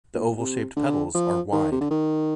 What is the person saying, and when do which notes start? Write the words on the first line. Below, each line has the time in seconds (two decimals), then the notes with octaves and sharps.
The oval-shaped petals are wide.
0.14 A#2
0.39 C3
0.76 D3
1.15 F3
1.52 D#3
1.71 C3
1.81 D3
1.91 D#3